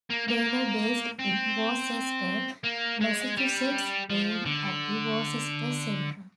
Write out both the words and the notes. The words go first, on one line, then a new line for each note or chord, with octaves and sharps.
They were based in Worcester, Massachusetts, playing at the Worcester Centrum.
A#3
A#3
C4
A#3
G#3
G3
F3
D3